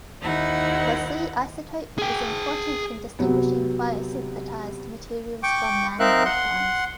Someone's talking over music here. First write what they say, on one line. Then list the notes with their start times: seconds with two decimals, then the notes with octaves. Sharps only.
The C isotope is important in distinguishing biosynthetized materials from man-made ones.
0.22 D#2 D#4 E4 C5 F#5
1.98 G#4 G5
3.19 C3 F#3 B3
5.43 G5 C#6 D6
5.99 C4 D#4 A#4 E5 F5 F#6
6.25 F#5 C6